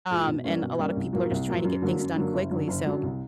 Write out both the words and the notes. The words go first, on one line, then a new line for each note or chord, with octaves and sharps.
Um, and a lot of people are just trying to get things done quickly. So
A#2 F3 G#3
B2
G3 A#3 C#4
B2
G3 A#3 C#4
C2
A#2 F#3 A#3
C2
A#2 F#3 A#3
F#2
D3 F#3 A#3
F#2
D3 F#3 A#3
F#1
F#2 D3 F#3
F#1
F#2 D3 F#3
C2